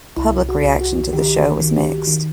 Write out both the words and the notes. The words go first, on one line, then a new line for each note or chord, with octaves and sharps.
Public reaction to the show was mixed.
C2 E4
F#4
C2
F#4
D#3 G4
D#3
D#3